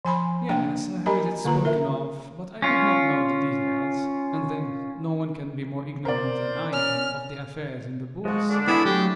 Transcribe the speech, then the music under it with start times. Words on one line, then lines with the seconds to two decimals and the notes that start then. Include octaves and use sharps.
"Yes, I heard it spoken of, but I did not know the details, and then no one can be more ignorant than I am of the affairs in the Bourse."
0.05 F3 G#5 B5 C6
0.49 A#3 D4 G5
1.06 G4 A#4 D#5 G#5 A#5 B5
1.45 D3 A#3 F4 B4 A#5
1.65 A#4 E5
2.62 C#4 F4
6.05 A#4 C5 D5
6.73 C#4 F6
8.25 F3 G#3 F#4
8.50 D3 D4
8.68 B3 E4 G#4 E5
8.85 F#3 A3 G4